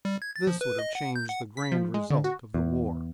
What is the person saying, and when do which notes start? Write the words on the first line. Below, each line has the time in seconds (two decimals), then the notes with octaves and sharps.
This would have changed the grand result of the war.
0.05 G3
0.22 G#6
0.36 A6
0.47 F3
0.61 B4
0.79 D#5
0.95 F#5
1.16 G6
1.29 F#5
1.57 B6
1.72 F3
1.94 G#3
2.10 D3
2.24 F#4
2.54 E2